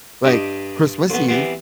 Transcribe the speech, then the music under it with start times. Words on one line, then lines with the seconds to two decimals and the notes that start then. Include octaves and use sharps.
like, Christmas Eve,
0.24 G2 G4 D#5
1.10 A1 B3
1.28 E3 G3 B3 C4